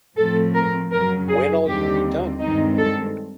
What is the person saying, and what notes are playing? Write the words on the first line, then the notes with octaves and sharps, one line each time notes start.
When'll you be done?
A2 F3 A3 C4 A4
A#4
F#2 C#3 F#3 A#4
G#4
D#2 D3 G3 C4 G4
G2 D#3 G#3 C4 D#4
A4